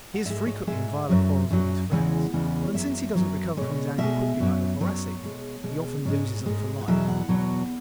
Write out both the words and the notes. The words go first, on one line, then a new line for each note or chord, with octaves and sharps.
He is frequently in violent quarrels with his friends, and since he does not recover from his anger quickly like the Thoracic, he often loses them for life.
F#5
G#2 G#3 E5
C#5
G#2 G#3 E5
F#2 F#3
F#2 F#3
E2 C#3 E3 G#3 F#5
E2 C#3 E3 G#3
C#5
F#2 F#3 E5
F#2 F#3
B2 G#3 C#5
B2 G#3 E5
F#2 F#3
F#2 F#3 C#5
B2 G#3
B2 G#3
G#2 G#3 C#5
G#2 G#3
F#5
E2 B2 F#3 E5
F#5
E2 B2 F#3